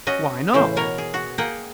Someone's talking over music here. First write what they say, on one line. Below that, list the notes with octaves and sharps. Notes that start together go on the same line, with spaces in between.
"Why not?"
C#4 F#4 D#5
A2 C#3 E3 C5
B2 A#4 C#5
G#4
F#4
A#3 G#4 F#5 G5